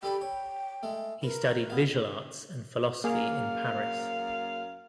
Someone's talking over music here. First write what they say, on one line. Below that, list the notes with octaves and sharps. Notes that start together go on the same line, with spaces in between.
He studied visual arts and philosophy in Paris.
G3 A4 B4 G5
C#5
G#3 A3
A#4 B4
B2 F5
F#2 A#3 G#4 F5